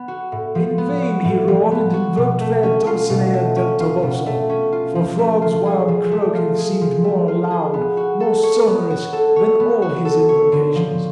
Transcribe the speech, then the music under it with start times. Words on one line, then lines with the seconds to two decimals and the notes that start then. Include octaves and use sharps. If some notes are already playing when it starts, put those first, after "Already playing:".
In vain he roared, and invoked fair Dulcinea del Toboso: for frogs' wild croaking seemed more loud, more sonorous than all his invocations.
Already playing: B3
0.08 F#4
0.32 A2
0.55 F3
0.78 B3
1.02 F#4
1.24 A2
1.48 F3
1.71 B3
1.93 F#4
2.17 B2
2.40 A3
2.63 C#4
2.87 F4
3.10 B2
3.34 A3
3.56 C#4
3.80 F4
4.02 B2
4.26 A3
4.50 C#4
4.72 F4
4.95 F3
5.19 A3
5.42 F4
5.66 G#4
5.88 F3
6.11 A3
6.35 F4
6.58 G#4
6.81 F3
7.04 A3
7.28 F4
7.51 G#4
7.74 B3
7.97 F#4
8.20 A4
8.43 C#5
8.67 B3
8.90 F#4
9.13 A4
9.36 C#5
9.60 B3
9.82 F#4
10.05 A4
10.29 C#5
10.52 D3
10.75 F3